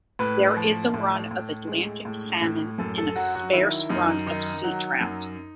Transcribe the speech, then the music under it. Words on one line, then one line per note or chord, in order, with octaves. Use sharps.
There is a run of Atlantic salmon and a sparse run of sea trout.
A2 B4
F3
A2
A2
G#3
A2
A2
F#2 A4
A4
F#3 F#4
F#4
D#3 E4
F#2 D#4
D#3 D#4
F#3
F#2